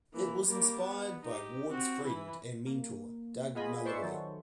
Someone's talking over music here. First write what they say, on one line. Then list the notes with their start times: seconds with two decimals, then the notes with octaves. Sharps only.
It was inspired by Ward's friend and mentor, Doug Malloy.
0.13 E3 A#3
0.45 G3 A#3
0.82 B3
1.25 D#4 G4
1.67 C4 F#4
2.06 E3 E4
2.66 A#3
3.55 B3 F4 G#4 D#5 G#5 B5
3.85 B4 C5 D5 E5 C6 C#6
4.02 D#3 F#3 A4